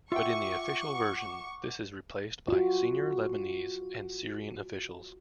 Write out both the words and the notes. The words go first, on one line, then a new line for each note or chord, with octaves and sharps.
But in the official version, this is replaced by "senior Lebanese and Syrian officials".
F4 E5 F#5 G5 C#6 D6
F4 F#4